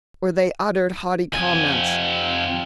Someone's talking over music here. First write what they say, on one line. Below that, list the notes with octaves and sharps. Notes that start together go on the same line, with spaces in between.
Or they uttered haughty comments.
F2 G#5